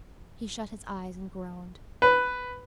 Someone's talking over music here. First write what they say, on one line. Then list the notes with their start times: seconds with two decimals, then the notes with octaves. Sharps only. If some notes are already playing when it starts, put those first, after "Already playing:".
He shut his eyes and groaned.
2.02 B4